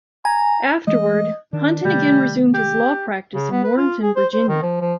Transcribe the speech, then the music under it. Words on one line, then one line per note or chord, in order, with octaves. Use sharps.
Afterward, Hunton again resumed his law practice in Warrenton, Virginia.
G#5 A#5
E3 G#3 A3 D#5
D#3 D4
C3 D#3 G3 A3
G4
C#3
B3
B4
F4
G#4
C5
C5
D#3
F3
F3